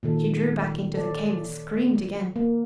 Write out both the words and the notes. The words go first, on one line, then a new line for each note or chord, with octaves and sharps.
She drew back into the cave and screamed again.
A#2 D#3 A4
A4 C#5 D5
A#3